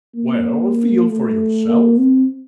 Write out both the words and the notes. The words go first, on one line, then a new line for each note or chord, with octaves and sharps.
"Well, feel for yourself."
A#3
A3
A#3
C4